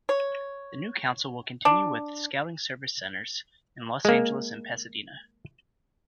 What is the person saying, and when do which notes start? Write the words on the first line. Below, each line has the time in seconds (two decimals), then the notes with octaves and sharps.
The new Council will continue with Scouting Service centers in Los Angeles and Pasadena.
0.09 C#5
1.65 D4
4.05 G#3 A#3